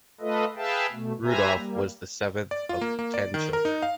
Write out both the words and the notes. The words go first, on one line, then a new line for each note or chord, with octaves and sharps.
Rudolf was the seventh of ten children.
A3 F4 A4 B4 D#5
G#4 B4 E5 F5 G5 A5
B2 A3
G4 B4 C5 E5 G#5 A#5
G3 A#3
D5
F4
A#3
A#3
D5
D#3
A#4
D#4
F5